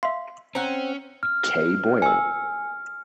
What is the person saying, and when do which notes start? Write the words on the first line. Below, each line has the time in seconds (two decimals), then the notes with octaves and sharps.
Kay Boyle.
0.03 E5 F5 C6
0.55 C4 C#4 F#5 A#5
1.23 F6
2.02 G#5 E6